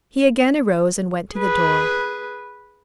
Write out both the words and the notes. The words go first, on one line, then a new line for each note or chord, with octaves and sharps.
He again arose and went to the door.
G#4 B4